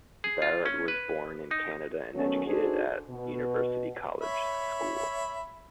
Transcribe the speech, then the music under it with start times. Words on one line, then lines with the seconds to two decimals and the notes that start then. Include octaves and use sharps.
Barrett was born in Canada and educated at University College School.
0.24 G#4
0.42 F4
0.66 C#4
0.88 B4
1.51 D#4
2.14 D#3 F#3 A3 B3 C#4
2.45 D4 D#4 F#4 G#4 A4 C5
3.10 B2
4.21 C#5 E5 B5